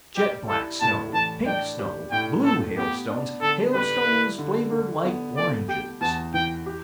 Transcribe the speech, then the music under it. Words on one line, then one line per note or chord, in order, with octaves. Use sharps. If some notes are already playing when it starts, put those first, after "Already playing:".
Jet-black snow--pink snow--blue hailstones--hailstones flavored like oranges.
G3 G4
E4 A4
A2 A5
E3 A5
D4 G5
G4
A2 G5
A3 A4
B3 G4
D4
D3 A4
G3 B4
E4
D3
D3
B3
A3 D5
G4 G5
E2 A5
E3 G5
G4